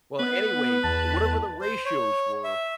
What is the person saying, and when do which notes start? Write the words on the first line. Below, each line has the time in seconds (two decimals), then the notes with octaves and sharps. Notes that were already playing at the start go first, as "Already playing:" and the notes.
Well, anyway, whatever the ratios were,
0.19 B3 B4
0.84 E2 A5
1.60 C5
1.86 C#5
2.44 E5